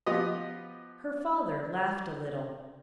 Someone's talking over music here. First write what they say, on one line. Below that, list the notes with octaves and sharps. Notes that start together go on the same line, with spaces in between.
Her father laughed a little.
F3 B3 F4 G4 B4 D#5